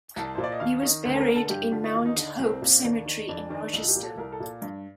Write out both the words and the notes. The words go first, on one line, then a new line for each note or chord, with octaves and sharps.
He was buried in Mount Hope Cemetery in Rochester.
C2 A5
A#2 C5
D5
D#5
D#2 F5
D#3 D#5
D2 C5
A4
A#4
D3
A4
A4
G2 G4
D3 F4
D#4
D#2 F4
D#4
D3 D#4
D4
C2 C4
A#2 C4
C4
D#2 D4
D#3
F2 D4
D#3 D4
C2 D#4
F4
G4
A#2
A4
C2 A#4
A4
A#2
G2